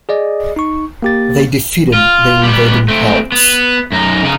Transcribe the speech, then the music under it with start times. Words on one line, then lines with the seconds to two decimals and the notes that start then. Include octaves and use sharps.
They defeated the invading Celts.
0.09 G#4 D5 D#5
0.56 D#4 C#6
1.02 A#3 G4 A6
1.94 F4
2.43 G3 B3
2.88 A3 C4
3.32 B3
3.92 F#2 D#4
4.23 C#3 D#4